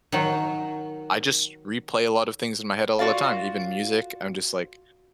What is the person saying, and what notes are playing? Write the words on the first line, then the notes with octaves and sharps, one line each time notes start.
I just replay a lot of things in my head all the time, even music, I'm just, like,
D#3 F#3
F4 F#4 D5 F5